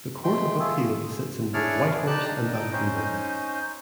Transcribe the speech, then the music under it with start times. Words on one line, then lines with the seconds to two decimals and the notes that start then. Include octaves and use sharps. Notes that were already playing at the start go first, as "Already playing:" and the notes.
The Court of Appeal sits in both Whitehorse and Vancouver.
0.24 G#3 A3 G5 C6
0.60 A3 F4 G#4 A4
1.54 D4 E4 G#4 C#5 D5 F6
1.95 G#4
2.07 D#4 G4 D5 A5 F#6
2.28 D4 D#4
2.54 D#4 G5
2.73 C#4 D#4 C5